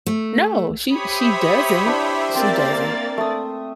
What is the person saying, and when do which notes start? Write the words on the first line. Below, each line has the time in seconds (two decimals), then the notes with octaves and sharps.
No, she she doesn't she doesn't,
0.07 A3
0.92 G4 C5 C#5 E5 B5 D#6
1.86 D4 E4
2.35 A#3 C4 D5 A6
3.18 A3 D#6